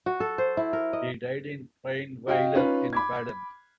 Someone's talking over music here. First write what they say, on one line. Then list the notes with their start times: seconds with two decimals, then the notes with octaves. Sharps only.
He died in Rheinweiler in Baden.
0.06 F#4
0.20 A4
0.38 C5
0.57 E4
0.73 A#4
0.93 D#5
2.27 F#4 D#5 F5 G5
2.55 C#4 D#4 F4 B4
2.93 B5 D6 G#6